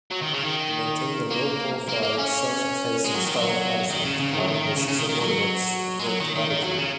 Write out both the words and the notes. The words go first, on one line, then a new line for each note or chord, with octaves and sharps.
He maintained a low-profile, "self-effacing" style of management, allowing his subordinates great latitude.
F#3
D#3
C#3
D#3
A#3
A#3
A#3
C#4
G#3
F#3
D#3
F#3
D#3
C#3
C#3
D#3
F#3
D#3
C#3
C#3
D#3
D#3
F#3
G#3
F#3
D#3
D#3
D#3
F#3
C#3